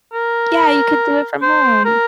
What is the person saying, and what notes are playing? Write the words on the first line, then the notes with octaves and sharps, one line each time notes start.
Yeah, you could do it from home.
A#4
C5
A#4